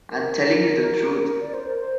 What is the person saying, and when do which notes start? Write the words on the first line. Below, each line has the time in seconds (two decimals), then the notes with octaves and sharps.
I am telling you the truth.
0.11 A#4
1.41 D5
1.54 C5
1.67 A#4
1.79 C5